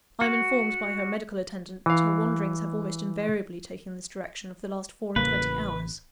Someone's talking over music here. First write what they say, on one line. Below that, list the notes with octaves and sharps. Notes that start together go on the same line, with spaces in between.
I am informed by her medical attendant, that her wanderings have almost invariably taken this direction for the last four-and-twenty hours.
F#4
E3 F5
A1 C#3 A#3 B4